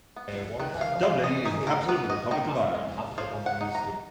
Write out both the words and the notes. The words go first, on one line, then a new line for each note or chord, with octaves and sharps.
Dublin is the capital of the Republic of Ireland.
B3
D#3 B4
F5
G#3 F5
D#5
D#4 G#4
A#4
B3 B4
D#5
D#3 D#5
G#3
F3 F5
F#5
D#4
A#5